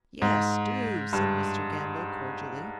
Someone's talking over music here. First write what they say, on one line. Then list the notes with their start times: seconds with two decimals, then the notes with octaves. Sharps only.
"Yes, do," said Mr. Gamble, cordially.
0.22 G#2
1.13 G2